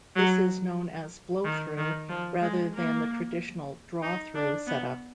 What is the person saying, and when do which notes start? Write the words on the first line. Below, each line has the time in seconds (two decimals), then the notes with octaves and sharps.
This is known as Blow-through rather than the traditional Draw-through set up.
0.16 F#3
1.44 D#3
1.77 D#3
2.09 F3
2.42 G#3
2.74 A#3
4.02 D#4
4.35 D4
4.67 B3